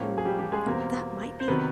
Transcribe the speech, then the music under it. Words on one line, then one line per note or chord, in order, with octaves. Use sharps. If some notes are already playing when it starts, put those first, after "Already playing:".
Mm, that might be
Already playing: A2 F3 A#3 C#4
G#4
G3 G4
G3 G4
G#3 G#4
E2 B2 G3 A#3 C4 A#4
C5
C3 D#3 F#3 B3 B4